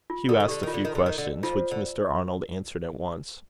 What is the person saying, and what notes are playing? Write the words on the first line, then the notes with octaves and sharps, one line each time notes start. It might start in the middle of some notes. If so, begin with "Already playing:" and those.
Hugh asked a few questions, which Mr. Arnold answered at once.
F4
D3 A4
D#3
D3 G4
D#3 F4
D3
D#3
D3
D#3
D3
F3 F4
D3